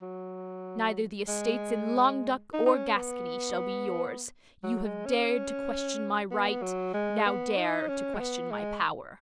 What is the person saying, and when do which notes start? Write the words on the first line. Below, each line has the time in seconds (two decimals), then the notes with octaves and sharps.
Neither the estates in Languedoc, or Gascony, shall be yours; you have dared to question my right,--now dare to question my power.
0.02 F#3
1.28 G#3
2.53 D#4
2.66 D#4
2.75 C#4
2.96 B3
4.64 F#3
4.84 G#3
5.06 C#4
6.31 B3
6.62 F#3
6.94 G#3
7.26 B3
7.57 D#4
7.88 C#4
8.14 G#3
8.20 B3
8.51 G#3